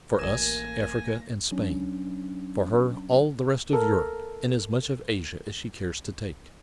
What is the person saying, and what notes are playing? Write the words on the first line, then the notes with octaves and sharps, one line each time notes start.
For us, Africa and Spain; for her all the rest of Europe and as much of Asia as she cares to take.
A1 A#3 A#4 G#5 A#6 E7
F#3 C#4 D4
A4 A#4